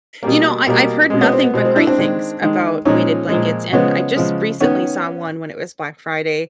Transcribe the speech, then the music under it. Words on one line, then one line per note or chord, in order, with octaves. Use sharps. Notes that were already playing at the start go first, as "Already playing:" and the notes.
You know, I I've heard nothing but great things about weighted blankets, and I just recently saw one when it was Black Friday,
B2 G3 A#3
B2 G3 A#3
B2 G#3
B3 C#4
C4
B3
B2 G#3 C4
C4
D4 E4
C4 D4
D#3 G#3
D#3 G#3
A#2 F3 G#3 C#4 D#4
A#2 F3 G#3
C#3 F3 G#3 B3 C#4
C#3 F3 G#3
D#3 B3 C#4